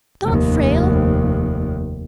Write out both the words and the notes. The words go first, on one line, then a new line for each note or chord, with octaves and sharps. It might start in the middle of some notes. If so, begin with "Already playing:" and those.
Don't, Frale.
F1 D#2